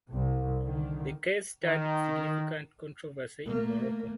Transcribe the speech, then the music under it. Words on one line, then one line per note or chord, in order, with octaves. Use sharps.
The case stirred significant controversy in Morocco.
C2
D3 D#3
D#3
A3 A#3